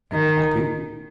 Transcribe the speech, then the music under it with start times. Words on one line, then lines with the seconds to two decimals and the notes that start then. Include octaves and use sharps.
"At twenty?"
0.12 D#3